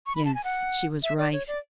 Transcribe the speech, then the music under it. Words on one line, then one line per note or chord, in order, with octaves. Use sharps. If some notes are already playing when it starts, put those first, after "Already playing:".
Yes, she was right.
C#6
B5
A5
G#5
F#5
E5
D5
C#5
D5